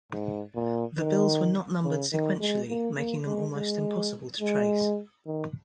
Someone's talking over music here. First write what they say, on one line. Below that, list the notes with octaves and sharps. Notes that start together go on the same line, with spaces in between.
The bills were not numbered sequentially, making them almost impossible to trace.
G#2
A#2
D#3
C#3
D#3
G#3
A#3
A#3
G#3
G#3
G#3
D#3